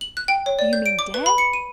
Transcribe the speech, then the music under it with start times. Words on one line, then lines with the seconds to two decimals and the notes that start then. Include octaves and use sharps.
Do you mean dead?
0.01 F#7
0.17 F#6
0.28 G5
0.46 C#5
0.59 D5
0.73 G6
0.86 D7
0.99 D6
1.14 B4
1.26 B5
1.38 C#7
1.53 D#7